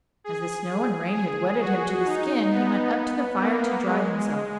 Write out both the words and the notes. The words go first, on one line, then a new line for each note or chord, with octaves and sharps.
As the snow and rain had wetted him to the skin, he went up to the fire to dry himself.
G#4
G#4
F#4
D#4
B3
A#3
G#3